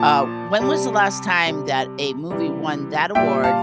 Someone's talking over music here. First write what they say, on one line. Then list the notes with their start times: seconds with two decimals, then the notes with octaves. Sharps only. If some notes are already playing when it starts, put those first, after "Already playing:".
Uh, when was the last time that a movie won that award
Already playing: A#2 F3 A5
0.60 C3 G3
1.45 C3 G3
2.30 C3 E3 G3
3.15 A#2 G3 E5 G5
3.44 F5 A5